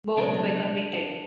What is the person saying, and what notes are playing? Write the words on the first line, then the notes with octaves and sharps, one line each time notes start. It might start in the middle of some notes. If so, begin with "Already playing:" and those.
Both were convicted.
C#2 B2 F#3 A3 D4